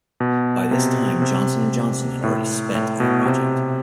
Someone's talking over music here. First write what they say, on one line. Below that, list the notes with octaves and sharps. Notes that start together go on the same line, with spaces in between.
By this time, Johnson and Johnson had already spent on the project.
B2
C3
C3
A2
A2
B2
C3